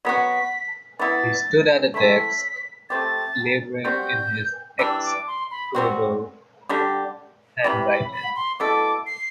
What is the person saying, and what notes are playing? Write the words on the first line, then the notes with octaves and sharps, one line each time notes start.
He stood at the desk, labouring in his execrable handwriting.
F#3 B3 F#4 B6
E3 B3 E4 A6
A3 C4 E4 B6
A3 C4 G4 A6
G3 C4 F#4 G6
E3 G3 D4 E6
D6
C6
B5
G3 C4 F#4
D3 G3 D4 G4
C3 E3 G3 B5
B5
B5
C6
B2 A3 E4 A4 D6
C7